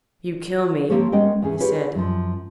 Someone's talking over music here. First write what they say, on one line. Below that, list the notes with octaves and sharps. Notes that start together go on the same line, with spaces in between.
"You kill me!" he said.
F3 A#3 C4 G4 A4 C#5
G#3 B3 C#4 A#4 D#5 G5
E2 B3 C#4 G#4
F4 G4 G#4 B4 C#5
F#2 F3